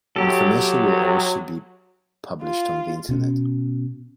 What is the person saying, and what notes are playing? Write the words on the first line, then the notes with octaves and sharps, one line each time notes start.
Information will also be published on the internet.
F#3 G4 A4
F4
B2 C#4